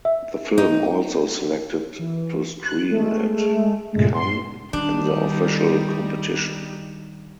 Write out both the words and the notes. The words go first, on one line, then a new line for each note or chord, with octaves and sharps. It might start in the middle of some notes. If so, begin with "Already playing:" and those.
The film also selected to screen at Cannes in the official competition.
E5
D#4
E3
F#6
G#3 A3
A#1 G2 C#3 G#3 A3
C6
D#3 G3 D4 D#4